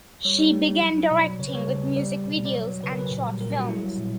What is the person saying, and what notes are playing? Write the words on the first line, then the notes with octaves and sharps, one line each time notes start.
She began directing with music videos and short films.
G3 C#5
G3
G3
G3
F#3
F#3
B2 D5
F#3
C#3 C#5
B4
G3 C#5
C#3
C#3
G3 D5
G3
B2
B2
D5
F#3 C#5
F#3
C#3 B4
A#4
F#3 B4
A#2
G3
A#2 A#4
C#4
G3 F#4
F#3 E4
F#3
A#2